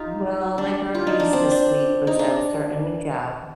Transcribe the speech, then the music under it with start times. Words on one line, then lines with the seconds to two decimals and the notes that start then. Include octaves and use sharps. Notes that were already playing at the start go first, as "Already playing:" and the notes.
Well, my priorities this week was, I was starting a new job,
Already playing: D#4 F4 G4
0.58 D4
0.95 F4
1.07 D#4
1.20 D4
1.33 C4
1.51 D4
2.07 D#4
2.19 D4